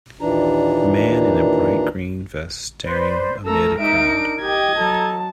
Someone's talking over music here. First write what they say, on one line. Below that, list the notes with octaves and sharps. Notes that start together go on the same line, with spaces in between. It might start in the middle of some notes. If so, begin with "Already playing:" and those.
Man in a bright green vest staring amid a crowd.
D#2 A#2 E3 D4 A#5
B4 C5 D5
A3 A4 A#4 A#5 E6
G#3 D#4 E5 D7
D4
G4 D#5 G5 G#6
F#3 A4 A5 A#5